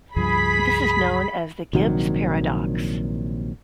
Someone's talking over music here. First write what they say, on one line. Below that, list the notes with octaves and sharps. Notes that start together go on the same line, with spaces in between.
This is known as the Gibbs paradox.
C#2 G2 F3 G#4 B5 B6
A#1 C3 D#3 F#3